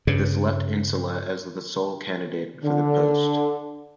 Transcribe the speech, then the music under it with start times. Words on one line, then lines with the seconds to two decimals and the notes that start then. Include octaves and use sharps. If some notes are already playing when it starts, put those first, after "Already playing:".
This left Insulza as the sole candidate for the post.
0.07 G2 C#3
2.64 D3